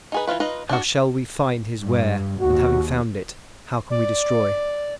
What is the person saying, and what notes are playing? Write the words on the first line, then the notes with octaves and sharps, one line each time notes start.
How shall we find his where; and having found it, how can we destroy?
D#4 G#4 B4
E3 F3 F4 B4
D#4 F4 B4 D#5
D4 F#4
G2
D#2 F#4
D5